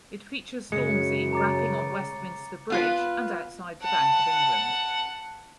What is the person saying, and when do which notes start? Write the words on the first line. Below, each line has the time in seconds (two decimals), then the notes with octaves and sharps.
It features Stormzy rapping on Westminster Bridge and outside the Bank of England.
0.72 F#2 C#3 G#3 C#7
1.33 A#5 D6 A6
2.70 B3 F4 B4
3.83 F#5 A5